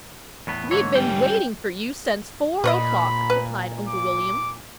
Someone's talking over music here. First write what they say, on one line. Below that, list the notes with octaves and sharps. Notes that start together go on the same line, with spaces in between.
"We had been waiting for you since four o'clock," replied Uncle William.
E2 A2 B3
G#2 D3 E3 C#5
G3 C#4 G5
A#2 B4 C#5 D#5 B5
B4
D6